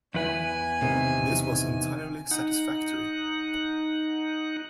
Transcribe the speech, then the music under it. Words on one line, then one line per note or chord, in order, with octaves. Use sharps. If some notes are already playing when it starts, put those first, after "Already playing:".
This was entirely satisfactory.
E2 E4 B4 G#5
C3 D#3
D#4 F#5